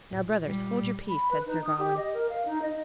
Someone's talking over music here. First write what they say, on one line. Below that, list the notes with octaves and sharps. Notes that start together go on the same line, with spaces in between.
"Now, brothers, hold your peace," said Sir Gawain.
A#2
G3
B5
B4
D#4
D#6
G4
D#5
A#4
F5
D#4
D#5